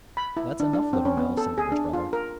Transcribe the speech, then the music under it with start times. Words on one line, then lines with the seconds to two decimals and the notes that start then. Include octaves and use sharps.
"That's enough, Little Mill," said the Rich Brother.
0.17 B5
0.37 E4
0.60 D4
0.73 D4
0.93 C4
1.05 C#4
1.17 B3
1.37 A4
1.58 G#4
1.72 D4
1.93 F4
2.13 A#4